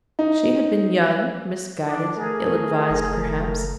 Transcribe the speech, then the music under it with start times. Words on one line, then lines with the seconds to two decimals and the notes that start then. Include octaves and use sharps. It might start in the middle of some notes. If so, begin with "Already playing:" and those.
She had been young, misguided, ill-advised perhaps.
0.19 D#4
1.86 D4 D#4
2.17 A3 G#4 A#4
2.90 F#1